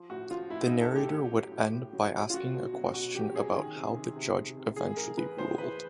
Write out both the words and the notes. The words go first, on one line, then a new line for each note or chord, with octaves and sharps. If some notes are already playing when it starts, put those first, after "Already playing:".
The narrator would end by asking a question about how the judge eventually ruled.
Already playing: F3
A2 F#4
F3 F4
A2 E4
A2 D#4
A4
A2 G4
A2
F#3
A2
A2
F#3
F#3
F4
F#3 F#4
B2
F#3
B2 F#4
F#3 G4
F#3 G#4
D#3
C3
D#3
C3
C3
C3
E3 G#4
A2 A#4
E3 B4
A2 C5
E3 B4